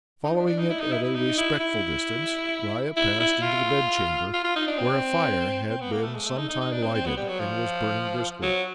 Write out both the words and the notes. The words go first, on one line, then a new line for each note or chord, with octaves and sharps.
Following it at a respectful distance, Riah passed into the bed-chamber, where a fire had been sometime lighted, and was burning briskly.
D#4
D4
D4
D#4
E4
D#4
E4
E4
D#4
E4
E4
E4
E4
F4
F4
F4
D#4
D4
C4
C4
B3
A#3
A3
G#3
A3
D#4
D#4
D#4
D4
C4
C4
B3
G3
F#3
F3
F#3